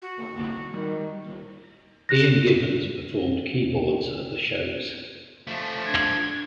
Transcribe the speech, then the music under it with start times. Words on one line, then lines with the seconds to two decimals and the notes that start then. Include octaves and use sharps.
Ian Gibbons performed keyboards at the shows.
0.02 F#4
0.74 D#3 G3
2.09 G4 F#6 A#6
5.47 F3 A3
5.86 D4 G#6